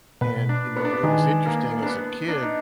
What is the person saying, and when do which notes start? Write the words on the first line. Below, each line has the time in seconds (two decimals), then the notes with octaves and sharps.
and, you know, it was interesting as a kid,
0.21 B2 B4
0.49 D4
0.76 B3
0.85 D4
0.93 B3
1.03 D#3 G#3
1.45 A#3
1.82 D4
1.86 B3
2.28 D4
2.42 D#4